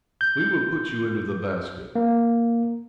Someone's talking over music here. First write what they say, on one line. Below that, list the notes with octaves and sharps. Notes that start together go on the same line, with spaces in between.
We will put you into the basket!
G6
A#3